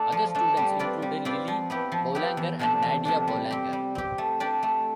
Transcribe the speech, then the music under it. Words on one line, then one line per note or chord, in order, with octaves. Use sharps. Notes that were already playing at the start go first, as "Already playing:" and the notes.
Other students included Lili Boulanger and Nadia Boulanger.
Already playing: A3 D4
F3
A3 D4
G3
C4 F4 B4 D5
G3
C4 F4 B4 D5
F3
B3 E4 G4
F3
B3 E4 G4
E2
C3 F3 A3 D4
E2
C3 F3 A3 D4
G3
C4 G4
G3
C4 G4
A3
D4 G4 D5
A3